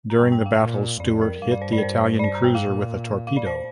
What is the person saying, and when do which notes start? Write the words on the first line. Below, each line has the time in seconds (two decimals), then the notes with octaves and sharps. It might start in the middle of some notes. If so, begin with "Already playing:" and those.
During the battle, "Stuart" hit the Italian cruiser with a torpedo.
0.10 A#5
0.18 G2 G5
0.32 G5
0.46 F5
0.59 A#2
1.00 F2 D5
1.21 A#4
1.42 G2 F5
1.51 D5
1.62 C5
1.72 D5
1.78 A#4
1.82 C5
2.19 D5
2.24 C5
2.35 A#5
2.44 G5
2.55 F5
2.65 A#2
3.27 F5
3.37 D5
3.47 C5